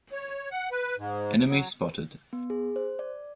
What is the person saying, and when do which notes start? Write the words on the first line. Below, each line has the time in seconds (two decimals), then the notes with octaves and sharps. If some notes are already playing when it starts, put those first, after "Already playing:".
Enemy spotted!
0.12 C#5
0.51 F#5
0.71 B4
0.98 G#2
1.48 F#3
2.33 B3
2.50 G#4
2.76 C5
2.99 D5